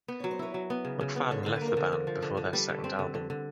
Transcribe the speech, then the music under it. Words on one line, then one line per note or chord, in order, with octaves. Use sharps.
McFadden left the band before their second album.
B3
F#3 C#5
C5
E4 B4 C#5
F#3
B3
C#3
C#3
B3
D3 C#5
D3 C5
B4
A#3
A#4 C5
D3
D3
F3
D3
D3
G3 A4 B4
D3
C4
D3
D3
D3